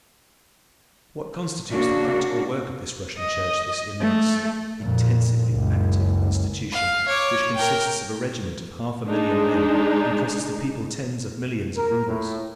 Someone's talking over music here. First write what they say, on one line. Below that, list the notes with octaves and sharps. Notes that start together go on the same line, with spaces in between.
What constitutes the practical work of this Russian Church, this immense, intensely active institution, which consists of a regiment of half a million men and costs the people tens of millions of rubles?
C#3 A#3 D4 F#4
D#5
A3
F2 A#2
F#1 C#2
F5
C#5 D6
A#4 G5
G#3 D4 D#4 G#4
A#4
A2